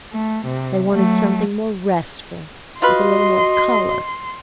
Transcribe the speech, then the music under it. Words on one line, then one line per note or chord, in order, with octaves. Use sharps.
They wanted something more restful, with a little more colour.
A3
C3
F#3 A3
F4 F#4 B4 D#5 C6